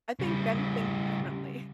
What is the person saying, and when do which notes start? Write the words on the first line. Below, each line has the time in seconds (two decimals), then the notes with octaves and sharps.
I I think men think differently.
0.19 C#3 G3